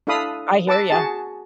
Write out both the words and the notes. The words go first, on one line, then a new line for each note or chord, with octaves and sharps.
I hear ya.
D4 E4 A4 F5 B5 D#6
B4 A5 D6 E6
F#4 G#4 A5